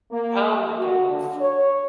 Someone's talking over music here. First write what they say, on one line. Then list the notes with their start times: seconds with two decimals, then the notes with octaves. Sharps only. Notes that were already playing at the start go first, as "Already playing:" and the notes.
Oh, my goodness.
0.11 A#3
0.48 G4
0.78 F#4
1.09 D3
1.39 C#5